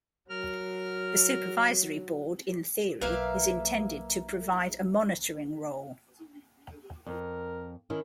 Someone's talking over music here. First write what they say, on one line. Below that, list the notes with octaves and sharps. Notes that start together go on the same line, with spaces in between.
The supervisory board, in theory, is intended to provide a monitoring role.
F#3 A#4 F6
B1 F#3 A#3 B4 E5 F5
F2 A#4
D#3 C#4 E4